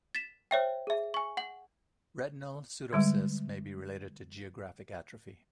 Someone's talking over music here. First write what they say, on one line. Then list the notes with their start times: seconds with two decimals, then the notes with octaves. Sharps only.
Retinal pseudocysts may be related to geographic atrophy.
0.15 A6 B6 E7
0.51 C5 C#5 E5 G5
0.87 G#4 E5
1.14 G#5 C#6
1.37 F#5 F#7
2.93 D3 G3 G#3